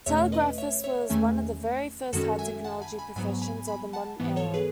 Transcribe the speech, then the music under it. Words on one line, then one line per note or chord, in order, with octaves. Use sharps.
Telegraphist was one of the very first "high-technology" professions of the modern era.
E2 B2 A3 C#4 C#5 E5
B4 D#5
C#5 E5
C#5 E5
E2 D#3 A3 C#4 E5 G#5
F#2 D#3 G#3 C#4 F#4 A4
E5 G#5
F#5 A5
G#5 B5
G#5 B5
G#2 F#3 B3 G#5 B5
G#5 B5
G#5 B5
F#5 A5
G#2 E3 B3
A4 C#5
G#4 B4